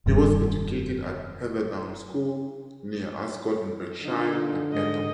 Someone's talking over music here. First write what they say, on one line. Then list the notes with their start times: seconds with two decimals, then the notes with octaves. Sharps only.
He was educated at Heatherdown School, near Ascot in Berkshire, and Eton.
0.06 F1 G2 D#3
4.01 D3 D#4 F4
4.72 G#2 D#5